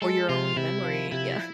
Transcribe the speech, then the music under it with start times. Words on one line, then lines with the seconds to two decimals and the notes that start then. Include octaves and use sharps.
Or your own memory. Yeah.
0.02 G#3 A4
0.29 C3 F4
0.56 C3 E4
0.84 F3
1.11 C3 E4